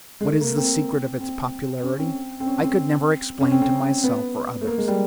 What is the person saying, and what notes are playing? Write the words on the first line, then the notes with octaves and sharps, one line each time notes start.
"What is the secret of its popularity?" I could never explain to myself or others.
G#3
A3
A#3
C4
C4
C#4
C4
C4
C#4
C4
C#4
C4
C4
B3
A3
A#3
G#3
G3